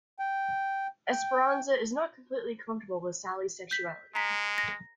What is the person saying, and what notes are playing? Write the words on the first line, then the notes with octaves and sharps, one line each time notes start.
Esperanza is not completely comfortable with Sally's sexuality.
G5
G5
G6 B6
G#3 A#5 B6
A#6